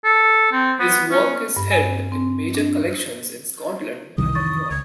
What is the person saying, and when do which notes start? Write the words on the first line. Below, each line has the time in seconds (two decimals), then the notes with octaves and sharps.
His work is held in major collections in Scotland and abroad.
0.05 A4
0.52 C4
0.80 B3
1.11 C#4
1.56 G2
1.71 G#5
2.12 C4
2.55 D4
4.18 C2 F2 D#3 E3 D#6
4.35 C#6 A6
4.71 C#2 G#6